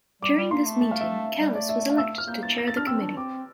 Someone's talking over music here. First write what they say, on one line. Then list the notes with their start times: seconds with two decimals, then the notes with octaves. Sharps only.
During this meeting Kalas was elected to chair the committee.
0.22 G3 D6
0.37 G3
0.51 A#3 C6
0.66 A3
0.81 A5
0.91 F5
1.01 E5
1.39 G3
1.55 A3 D5
1.69 E5
1.80 E5
1.90 F5
1.98 E6
2.18 F6
2.28 A#3 G6
2.43 A6
2.58 A#6
2.68 A6
2.77 D4 F6
2.87 C4 E6
3.02 D4
3.16 C4 D6